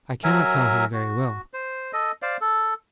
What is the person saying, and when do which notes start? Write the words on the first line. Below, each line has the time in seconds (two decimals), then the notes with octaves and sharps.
I cannot tell him very well.
0.24 F#3 A#4 E5 G#5
0.93 F#4
1.54 C5
1.93 A4 D#5
2.22 C5 D5 F5
2.41 A4